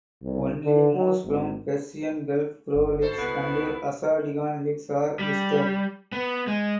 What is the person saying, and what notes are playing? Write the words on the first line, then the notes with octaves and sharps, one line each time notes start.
Only moves from Persian Gulf Pro League and Azadegan League are listed.
C2
D3
F#3
G#1
G1
B2 A4 C5
C#2 B3 E4
G3
B3
G#3